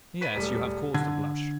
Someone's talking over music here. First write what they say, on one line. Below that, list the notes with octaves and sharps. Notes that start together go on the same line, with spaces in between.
Yes; you have cause to blush.
B4 B6 D#7
E1 G3 A3
D3 G#6